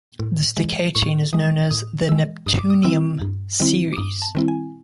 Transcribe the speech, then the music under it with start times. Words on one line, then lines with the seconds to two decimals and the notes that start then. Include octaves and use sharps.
This decay chain is known as the neptunium series.
0.19 A2
0.57 E3 G#3
0.95 A2 C#6
1.33 E3 G#3 D#6
1.71 A2 D#6
2.09 E3 G#3 E6
2.46 G2 D#6
2.59 D6
2.70 D#6
2.83 D#3 G3 C4 E4 E6
3.22 G2
3.60 D#3 G3 C4 E4
3.93 D6
3.97 G2 D#6
4.22 A5
4.35 D#3 G3 C4 E4
4.48 G#5